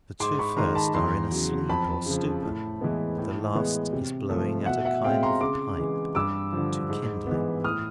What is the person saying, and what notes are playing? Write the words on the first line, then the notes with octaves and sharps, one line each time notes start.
The two first are in a sleep or stupor; the last is blowing at a kind of pipe, to kindle it.
G#2 C6 D6
B5 C#6
D#3 G#3 A#5 C6
A5 B5
E2 A#5 C6
C#3 F#3
F2 A5 B5
C#3 F3
A2
E3 G#3 B3
A2
E3 G#3 B3
C3
F3 A3
B2 E5 F#5
E5 F#5
G#3 C4 F5 G5
A#5 C6
C#3 C6 D6
E3 G#3
G2 D6 E6
D3 F3
G#2
E3 G#3 B3
A2 D#6 F6